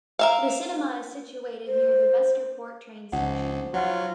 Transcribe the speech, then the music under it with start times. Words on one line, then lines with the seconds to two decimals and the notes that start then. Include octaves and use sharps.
The cinema is situated near the Vesterport train station.
0.19 A#4 E5 F5
1.67 C5
3.12 C#2 F3 D#4 F#5
3.74 F#3 F4 C#5 F#5